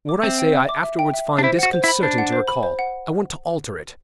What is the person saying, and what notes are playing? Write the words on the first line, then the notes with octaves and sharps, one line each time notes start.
What I say, I afterwards find disconcerting to recall. I want to alter it.
D6
C4 E5
G5
E5
D6
E5
G5
E5
D6
D4
E4 C5
F#4 F#5
C5
E4
B5
D4 C5
F#5
C5
B5
C5
F#5